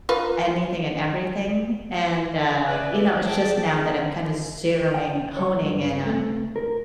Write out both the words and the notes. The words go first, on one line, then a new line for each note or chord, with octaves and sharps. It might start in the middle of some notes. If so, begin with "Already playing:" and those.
anything and everything, and, uh, you know, it's just now that I'm kinda zeroing honing in on,
F4 A#4 B4
B4 D5 E5 F#6
G#4 G5 A5
G5
C#5
G2
A3
A#4